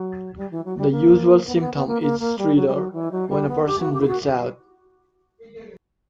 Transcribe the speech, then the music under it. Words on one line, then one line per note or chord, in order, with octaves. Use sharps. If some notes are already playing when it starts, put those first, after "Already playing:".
The usual symptom is stridor when a person breaths out.
Already playing: F#3
G3
E3
F#3
G3
A#3
B3
A#3
B3
B3
A#3
A#3
A#3
G3
F#3
G3
F#3
E3
F#3
G3
B3
G4
F#4
G4
E4
F#4